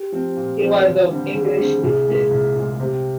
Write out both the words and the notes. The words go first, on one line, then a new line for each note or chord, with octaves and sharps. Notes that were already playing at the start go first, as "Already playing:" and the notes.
He was of English descent.
Already playing: G4
F3 C4
A#2
F3 C4
D#2
D3 G3 C4
D#2 G#4
D3 G3 C4
C2 G#4
A#2 G#3
C2
A#2 G#3
C3 G4